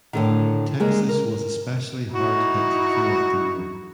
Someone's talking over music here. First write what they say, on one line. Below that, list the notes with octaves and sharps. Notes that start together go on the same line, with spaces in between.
Texas was especially hard hit throughout the year.
A2 D3 D#3
G3 G#3 A#3
A#4
D#4 E4 F#4